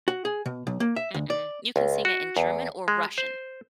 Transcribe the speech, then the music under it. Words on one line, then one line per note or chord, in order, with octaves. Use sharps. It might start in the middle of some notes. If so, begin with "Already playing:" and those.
Mm-mm, you can sing it in German or Russian,
F#4
G#4
B2
B1
A#3
E5
D2
D5
C#2
F#4
E2
G#3
C5